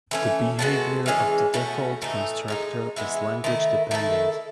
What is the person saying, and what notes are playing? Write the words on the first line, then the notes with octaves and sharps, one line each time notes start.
The behavior of the default constructor is language dependent.
E3 A3 C#4
G#3 B3 F#4 A4
E3 G#3 C#4 G#4
B2 A3 C#4 F#4
A2 E3 A3 D#4
A2 G#3 D#4
E3 G#3 B3 E4
D#3 A3 E4
D#3 A3 E4 A4